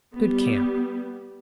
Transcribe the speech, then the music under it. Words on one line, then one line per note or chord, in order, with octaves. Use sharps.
Good camp.
G3 B3